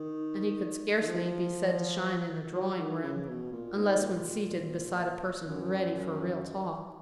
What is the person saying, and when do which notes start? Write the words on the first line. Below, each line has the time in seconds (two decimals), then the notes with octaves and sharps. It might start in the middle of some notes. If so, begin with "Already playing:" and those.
And he could scarcely be said to shine in a drawingroom, unless when seated beside a person ready for real talk.
Already playing: D#3
1.01 D#3
1.07 F3
2.55 F#3
2.79 D#3
3.03 C#3
3.28 B2
3.52 A#2
3.76 G#2
4.01 A#2
5.49 F#2